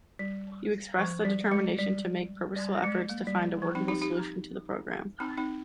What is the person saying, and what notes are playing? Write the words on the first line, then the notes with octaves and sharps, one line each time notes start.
You expressed the determination to make purposeful efforts to find a workable solution to the work program.
G3
F3
G3
G#3
G3
G3
G#3
A#3
G3
F3
C4 D#4
D#4 G4
D#4 G4
C4 D#4
C4 D#4